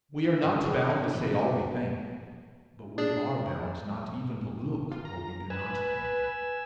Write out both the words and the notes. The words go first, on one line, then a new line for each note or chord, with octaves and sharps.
We are not bound to say all we think, but we are bound not even to look what we do not think.
B3
G2 D#3 E3 A#3 C#4 D4
B3 G#4 A#4 B4 D5
A#2 C#5
E3 C4 C#4 B4 E5
G4
D4 G#4 D5
F4
A#5
B4 G#5 E6